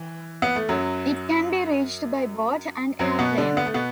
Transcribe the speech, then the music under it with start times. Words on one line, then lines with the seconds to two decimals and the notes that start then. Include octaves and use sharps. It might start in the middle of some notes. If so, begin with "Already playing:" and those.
It can be reached by boat and airplane.
Already playing: E3
0.42 B3
0.56 A3
0.69 F#2 F#3
2.99 F#2 F#3
3.19 B2 B3
3.38 D3 D4
3.57 B3
3.66 A3
3.74 B2 B3